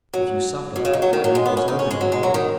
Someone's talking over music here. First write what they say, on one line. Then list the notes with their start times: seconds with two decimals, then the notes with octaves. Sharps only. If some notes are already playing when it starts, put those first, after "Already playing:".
If you suffer, why do you not open your heart?
0.14 F#3
0.76 B2
0.85 C#3
0.93 D#3
1.02 F#3
1.13 D#3
1.24 F#3
1.35 G#3
1.46 B3
1.57 C#4
1.68 D#4
1.79 C#4
1.91 G#3
2.01 F#3
2.12 G#3
2.23 F#3
2.34 D#3